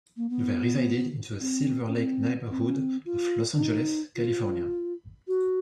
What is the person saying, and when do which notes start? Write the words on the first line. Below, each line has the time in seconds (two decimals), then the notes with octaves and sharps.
They resided in the Silver Lake neighborhood of Los Angeles, California.
0.17 A#3
0.30 B3
1.40 C4
1.88 C#4
1.96 C4
2.51 C4
2.68 C#4
2.78 C4
3.06 F4
3.56 D4
3.61 D#4
4.16 F4
5.28 F#4